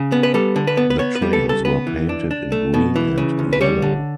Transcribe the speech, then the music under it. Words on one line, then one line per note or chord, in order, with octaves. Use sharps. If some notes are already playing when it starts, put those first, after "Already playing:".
The trains were painted in green and yellow.
Already playing: C#3
B3
B4
G3 A4
D3
B4
B3
B4
B3 C#5
B4
G3
A4
C#3
A4
B3 B4
E3
D4
D4
A3
B2
E3
C#3
D2
B4
G3 C#5
D3